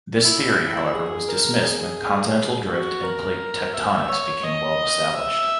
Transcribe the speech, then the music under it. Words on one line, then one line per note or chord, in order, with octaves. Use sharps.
This theory however was dismissed when continental drift and plate tectonics became well established.
E4
G#4
A#4
G#4
F#4
A#4
E5
C#5
D#5
E5